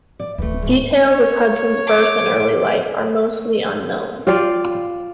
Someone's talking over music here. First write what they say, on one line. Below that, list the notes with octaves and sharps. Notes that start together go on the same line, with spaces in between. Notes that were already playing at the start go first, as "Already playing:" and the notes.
Details of Hudson's birth and early life are mostly unknown.
D5
D1 D#3 E3 A3
G#2 A3
C#5
D6
F4 G4 D5 F5